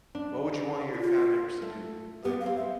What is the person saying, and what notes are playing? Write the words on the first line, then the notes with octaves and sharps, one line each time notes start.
What would you want your family members to do? Like
D4
E4
F4
A3
B3 G4
F5
C4
E5